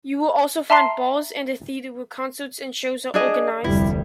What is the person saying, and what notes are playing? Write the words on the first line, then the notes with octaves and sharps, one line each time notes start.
You will also find bars and a theater where concerts and shows are organized.
E5 A5 A#5 C6 C7
D4 G#4 D#5
F1 D2 G3 E4